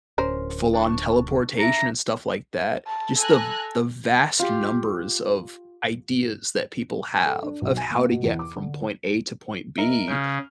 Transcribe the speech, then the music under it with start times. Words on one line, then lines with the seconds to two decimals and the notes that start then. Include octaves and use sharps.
full-on teleportation and stuff like that. Just the the vast numbers of ideas that people have of how to get from point A to point B,
0.18 D1 C#4 A#4 C5
0.73 D4 C#6
1.59 D4 E5 A#5
2.86 A5
3.18 A4 G#5 A#5 F#6
4.39 F4 G4
7.26 A4
7.43 D4
7.62 B1
7.77 G#5
7.91 A#3
8.11 B2
8.24 E2
8.39 D6
8.56 D3
9.77 A#4 D#5 E5
10.08 C#3 F6 G6